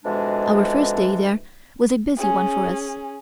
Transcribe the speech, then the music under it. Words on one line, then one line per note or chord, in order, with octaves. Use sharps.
Our first day there was a busy one for us.
F2 G#2 B2 E3 G#3 D4
C#4 G#4